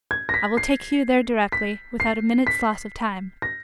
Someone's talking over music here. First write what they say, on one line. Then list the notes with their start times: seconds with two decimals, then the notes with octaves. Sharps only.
I will take you there directly, without a minute's loss of time.
0.11 G#6
0.29 A#6
0.34 B6
0.57 C7
1.52 B6
2.00 C7
2.47 B6
3.42 A#6